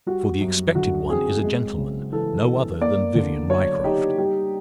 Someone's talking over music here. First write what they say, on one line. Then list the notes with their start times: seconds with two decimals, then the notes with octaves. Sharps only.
For the expected one is a gentleman-- no other than Vivian Ryecroft.
0.06 G3 F#4
0.41 F#2
0.75 D3 F#4
1.09 C4 G#4
1.44 G#3
1.78 C#3
2.13 E3 A4
2.47 B3
2.81 A#3 D5
3.15 D3
3.50 F#3 C#5
3.84 D#4 G4
4.18 G3 G4